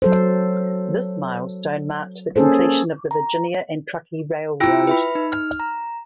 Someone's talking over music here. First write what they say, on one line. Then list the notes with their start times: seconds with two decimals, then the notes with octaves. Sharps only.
This milestone marked the completion of the Virginia and Truckee Railroad.
0.02 F#3 A4 C5
2.36 A#3 C#4 G#4 A4 C5
3.11 A#5
4.60 E4 F4 G5 E6
4.87 B4 E5 B5
5.15 D#4
5.32 F6
5.60 A#5